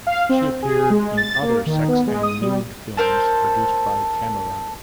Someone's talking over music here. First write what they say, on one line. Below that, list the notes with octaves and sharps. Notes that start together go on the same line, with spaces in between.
She appeared in other sex and nude films produced by "Kamera".
F5
C4
G#4
G#3
A6
A#3
D#3
B3
G#3
D#6
G3
A4 A#4 C5